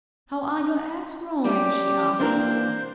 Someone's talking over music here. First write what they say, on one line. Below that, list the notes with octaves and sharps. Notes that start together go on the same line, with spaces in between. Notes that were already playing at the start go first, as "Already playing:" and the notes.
"How are your eggs growing?" she asked.
G3 C#4 G4
E3 A#3 C4 D4 A#4 C5